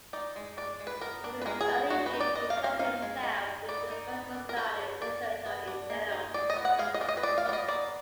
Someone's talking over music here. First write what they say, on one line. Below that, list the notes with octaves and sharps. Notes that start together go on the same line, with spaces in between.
From his early youth he applied himself to historical studies and literature in general.
D#4 D5
G#3
D4 D5
G#3
B4
B3 A#4
D4
B4
G#3 A#4
G#4
B3
G#3 F#4
B4
D#4
D5
D4 D#5
F5
F#3
F5
D#4 F5
G#3
G#3
D#4
B3 D5
D#4
B3
D4
A#4
D4 B4
F#3
A#3 D5
D4
B3
D4
A#3
D#4
G#3 D5
D#5
B3
F#5
G#3 F5
D#5
D4
D#5
B4
G#3 D5
F5
B3 D5
D#5
A#3 D5